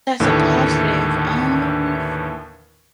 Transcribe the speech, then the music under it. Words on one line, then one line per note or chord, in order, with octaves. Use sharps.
That's a positive. Um
D#2 A2 D3 E3